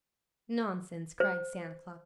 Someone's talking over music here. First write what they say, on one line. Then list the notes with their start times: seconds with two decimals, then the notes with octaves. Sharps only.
"Nonsense!" cried Santa Claus.
1.20 C5